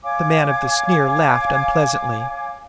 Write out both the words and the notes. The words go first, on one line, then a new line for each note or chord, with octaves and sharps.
The man of the sneer laughed unpleasantly.
C#5 F5 G#5 D6